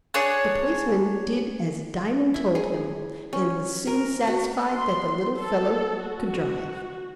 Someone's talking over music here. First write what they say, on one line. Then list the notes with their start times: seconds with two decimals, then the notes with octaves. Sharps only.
The policeman did as Diamond told him, and was soon satisfied that the little fellow could drive.
0.14 D4 G#4 C#5 F#6
2.34 E4
2.55 G#4
3.33 C#4
3.87 A#4
4.27 F#4
4.70 C6
5.38 A4
6.04 F#4